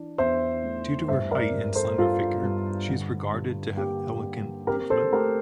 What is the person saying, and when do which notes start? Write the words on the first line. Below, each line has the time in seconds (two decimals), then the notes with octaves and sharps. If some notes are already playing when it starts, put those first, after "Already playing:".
Due to her height and slender figure, she is regarded to have elegant movement.
Already playing: E3 D4
0.18 E2 C5 E5
0.64 A3
1.08 G2 C5 E5
1.31 A#4 D5
1.53 G2
1.75 A4 C5
1.98 G2 F4 A4
2.43 G2
2.88 D3
3.32 G3
3.77 A#3 G4
4.23 A#3
4.67 C4 G4 A#4
4.90 A4 C5
5.12 A3 G4 A#4